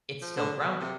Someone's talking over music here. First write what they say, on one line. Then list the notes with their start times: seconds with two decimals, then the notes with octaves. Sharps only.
it's still grounded.
0.21 F3
0.37 D3
0.60 B2
0.80 C3